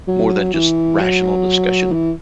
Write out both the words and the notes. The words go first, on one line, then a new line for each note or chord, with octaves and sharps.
more than just rational discussion,
F#3
E3
F#3
E3